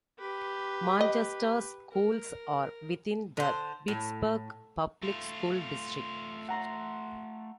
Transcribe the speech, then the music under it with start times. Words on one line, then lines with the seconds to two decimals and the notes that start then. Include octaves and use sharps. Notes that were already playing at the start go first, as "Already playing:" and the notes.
Manchester's schools are within the Pittsburgh Public School District.
0.19 G4 B4
1.01 D#5
1.92 A#4
3.37 D3 C5
3.88 A2
5.02 A3 F4
6.48 F#5 A#5 C6